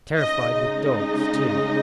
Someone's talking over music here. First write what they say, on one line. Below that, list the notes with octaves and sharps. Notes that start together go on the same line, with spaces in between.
Terrified with dogs too!
C#3 G#3 D#4 D#5
D#5